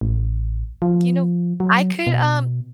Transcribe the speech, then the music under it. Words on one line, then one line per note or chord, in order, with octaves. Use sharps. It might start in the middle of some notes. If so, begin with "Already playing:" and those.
You know, I could, um
A1
F3
F#3
B2